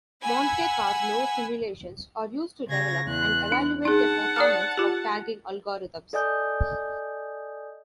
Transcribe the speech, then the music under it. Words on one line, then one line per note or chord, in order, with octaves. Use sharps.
Monte Carlo simulations are used to develop and evaluate the performance of tagging algorithms.
F#5 G#5 B5 E6
C#3 G#6 A#6
E2 F#6
D4
D#4 G#4 F#5 A5
D5 D#6 F6
F4 G4
A4 D5 D#5 G#5 D#6 G6